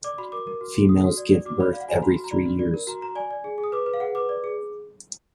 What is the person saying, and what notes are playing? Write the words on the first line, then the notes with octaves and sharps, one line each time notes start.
Females give birth every three years.
D5 D6
F#4 B5
A#4 D6
A#4
F#4
F#4
F#4 D#6
F#4
D5
D5
F#4 D6
D5 B5
D5 F5
F#5
F#4 G#5
A#5
F#4 B5
F#4
A#5
D5 B5
F#4
D5
A#4
F#4 A#5
F#4 A#5
D5 G#5
D5
G#4
G#4
D#6
B4 D6
B4
F5
G#4 F#5
B4 D6
D5
G#4